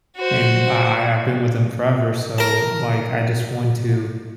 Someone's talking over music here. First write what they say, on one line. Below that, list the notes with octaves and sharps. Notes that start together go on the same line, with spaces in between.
and I I I've been with them forever. So, like, I just want to
F#4 C5
A#4 A5